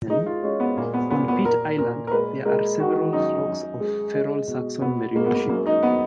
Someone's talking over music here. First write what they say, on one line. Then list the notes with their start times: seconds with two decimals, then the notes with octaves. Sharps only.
On Pitt Island there are several flocks of feral Saxon Merino sheep.
0.09 G#3 D#4
0.26 F4
0.43 G#3 C#4
0.60 B3
0.77 A#2 A#3
0.94 B3
1.10 A#2 B3
1.28 B3
1.44 A#2 A#4
1.78 A#2 A#4
2.07 A#4
2.12 G#3 B4
2.45 G#3 A#4
2.80 D#3 F#4
3.13 F#2 D#4
3.48 F#2
3.80 G#3
4.14 G#3
4.47 B2
4.81 B2 B3
5.15 G#3 A#3
5.26 B3
5.35 A#3
5.49 F#2 A#3
5.66 D#4
5.83 B3